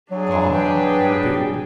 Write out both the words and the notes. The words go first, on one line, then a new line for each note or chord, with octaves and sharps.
"Gone?" I repeated.
F#3 D4 G#4
B4 G5